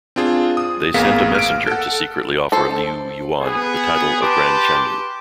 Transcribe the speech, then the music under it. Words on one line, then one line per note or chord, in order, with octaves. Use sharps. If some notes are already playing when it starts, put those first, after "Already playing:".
They sent a messenger to secretly offer Liu Yuan the title of Grand Chanyu.
C4 D4 F4 G#4
D#6
A1 A#3 B3 G#4 F5 B6
F6 D7
A4 F#5
A4 C5
B3 G#4
G4 B4 A5 C6 D6